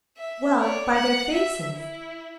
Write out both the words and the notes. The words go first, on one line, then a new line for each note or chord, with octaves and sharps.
'Well, by their faces....'
E5
C#5 D5
F#5
E5
E4